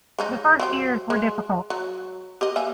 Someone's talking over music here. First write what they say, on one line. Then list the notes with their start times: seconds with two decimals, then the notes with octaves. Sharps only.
The first years were difficult.
0.19 G#3 C#4 D#4
0.59 F#3 C4 G4
1.10 G#3
1.70 F#3
2.41 G4 A#4 D#5
2.56 A#3 E5 G#5